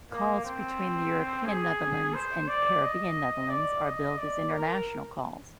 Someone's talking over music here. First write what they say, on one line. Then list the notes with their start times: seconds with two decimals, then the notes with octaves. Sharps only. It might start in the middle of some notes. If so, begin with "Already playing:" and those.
Calls between the European Netherlands and Caribbean Netherlands are billed as international calls.
0.11 A#3
0.45 C4
1.47 G#4
2.14 C5
2.48 D5
2.82 D#5
3.50 D5
3.84 D#5
4.17 D5
4.51 A#4